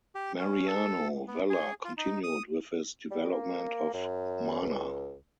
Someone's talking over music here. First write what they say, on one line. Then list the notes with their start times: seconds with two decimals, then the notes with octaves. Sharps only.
Mariano Vella continued with his development of Mana.
0.15 G4
0.39 C#4
0.67 A4
1.27 B3
1.50 G#4
1.85 F4
1.98 D#4
2.23 D#6
3.11 G3
3.32 A#3
3.94 F#2
4.62 C#2